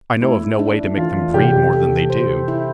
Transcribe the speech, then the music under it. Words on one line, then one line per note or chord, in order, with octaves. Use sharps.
I know of no way to make them breed more than they do.
A3 E4
D4
E3 F4
C3 G4
A4
C5
E4